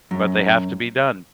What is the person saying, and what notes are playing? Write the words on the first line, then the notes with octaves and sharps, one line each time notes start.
but they have to be done.
F#2